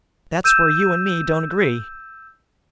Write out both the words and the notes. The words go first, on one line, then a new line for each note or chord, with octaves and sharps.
That's where you and me don't agree!
E6 G6 D#7 E7